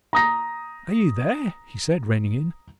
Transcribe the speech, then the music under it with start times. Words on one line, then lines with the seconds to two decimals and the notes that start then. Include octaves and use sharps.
"Are ye there?" he said, reining in.
0.13 A#5 D#6 A#6